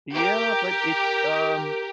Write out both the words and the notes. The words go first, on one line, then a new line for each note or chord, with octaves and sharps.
Yeah, but it's, um
G4 A#4